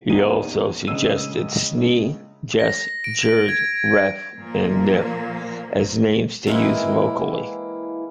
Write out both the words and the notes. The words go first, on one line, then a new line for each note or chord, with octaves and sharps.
He also suggested "snie", "jes", "jerd", "reff", and "niff" as names to use vocally.
D#1 E2 D#4 G#4 G#5 D#7
A#1 C#3 G#3 D#5 E6 D#7
A#6
D7
G#6
A#2 F3 A#3
E3 G#3 A#3 C4 E4